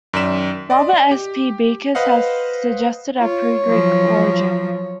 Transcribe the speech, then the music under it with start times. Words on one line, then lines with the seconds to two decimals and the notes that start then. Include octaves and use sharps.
Robert S. P. Beekes has suggested a Pre-Greek origin.
0.13 F#2 D#3 D5 B6 E7
0.70 D5 D#5 C6
1.11 G4
1.95 B4 C5 D#5 F5 F#5
3.18 F4 C#5
3.65 F3 F#3